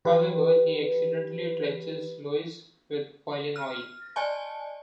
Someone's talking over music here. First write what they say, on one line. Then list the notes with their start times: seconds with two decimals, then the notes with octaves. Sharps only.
However, he accidentally drenches Lois with boiling oil.
0.05 E3 G4 B4
3.56 F6
4.16 D5 D#5 G#5 A5